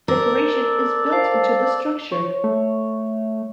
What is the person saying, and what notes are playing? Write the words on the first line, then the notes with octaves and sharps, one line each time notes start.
Decoration is built into the structure.
A4 A#4 D5
C5 F5 A5
C#5
A3